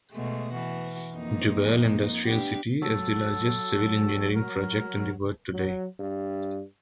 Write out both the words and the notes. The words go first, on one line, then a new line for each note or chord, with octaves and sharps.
Jubail Industrial City is the largest civil engineering project in the world today.
B2 G#3 A3
E3 F#4
F2 A#3 D#4
B3 D4 G4
F#3 A4
A#4
F#3
G2